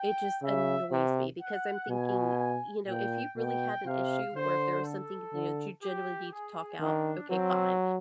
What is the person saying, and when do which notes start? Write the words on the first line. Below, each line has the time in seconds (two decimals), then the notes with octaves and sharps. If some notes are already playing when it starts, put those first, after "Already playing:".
it just annoys me because I'm thinking, you know, "If you really had an issue or if there was something that you genuinely need to talk out, okay, fine.
Already playing: G5
0.42 C#3 E5
0.91 C3
1.41 F#5
1.89 B2 G#5
2.87 A#2 G5
3.36 B2 G5
3.86 C3 F5
4.34 D3 C5
4.84 A4
5.33 D3
5.83 G4
6.32 G#4
6.80 D#3 D4
7.29 F#3 C4